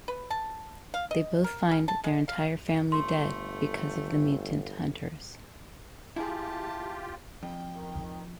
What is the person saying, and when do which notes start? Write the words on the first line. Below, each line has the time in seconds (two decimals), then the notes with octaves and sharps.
They both find their entire family dead because of the mutant hunters.
0.08 B4
0.30 A5
0.94 F5
1.11 D#5
1.44 A#4
1.71 C#3
1.88 A5
2.04 G#3
2.28 F5
2.92 G1 A3 C6
6.16 E4 F4 G4 G#4 A5
7.43 F2 G5
7.74 D#3